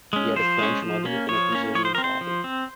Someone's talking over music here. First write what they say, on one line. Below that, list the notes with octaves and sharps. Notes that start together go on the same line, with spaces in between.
He had a French mother and a Brazilian father.
G#3 C#4
F3 C5
G#3 C#4
F3
A#3 C#4
F3 C#5
A#3 C#4
F3 C#5
C5
C4 A#4
C5
F3
C4